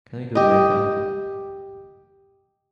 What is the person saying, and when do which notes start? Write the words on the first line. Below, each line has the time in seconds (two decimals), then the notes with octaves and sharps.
Can we do it later?
0.35 G4 D#5